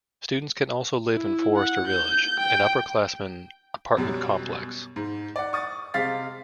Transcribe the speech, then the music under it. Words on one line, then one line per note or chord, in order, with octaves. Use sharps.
Students can also live in Forester Village, an upper class-man apartment complex.
E4
F#5
G6
G5
F#2 B2 G3
G#2
D5 F#5
C#6 D#6 A6
C3 G#3 F5 A6 B6